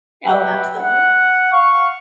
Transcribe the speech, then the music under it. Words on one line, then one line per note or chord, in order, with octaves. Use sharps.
Oh, absolute
G4 B4 E5 F#5 G5
F#5
F5 C#6